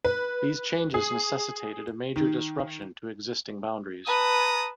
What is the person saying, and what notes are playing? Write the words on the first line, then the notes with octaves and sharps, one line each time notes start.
These changes necessitated a major disruption to existing boundaries.
B4
G#4
D#3
B4 A5 A#5 D#6